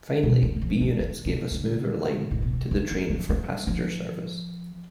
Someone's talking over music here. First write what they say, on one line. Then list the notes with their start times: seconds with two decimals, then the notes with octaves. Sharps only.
Finally, B units gave a smoother line to the train for passenger service.
0.23 B2
0.43 F3
0.56 G3
0.62 F3
0.81 D3
1.00 D3
1.26 C3
1.51 D3
2.31 A2
2.42 B2
2.53 C3
2.71 D3
2.91 E3
3.10 F3
3.29 G3
3.67 F3